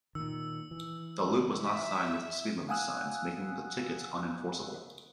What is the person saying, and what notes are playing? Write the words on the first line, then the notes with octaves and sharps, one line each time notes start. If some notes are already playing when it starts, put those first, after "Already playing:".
The loop was not signed with speed-limit signs, making the tickets unenforceable.
A#2 D#3 E6
E3
E5
F5 F#5 G#5 D#6 E6 F#6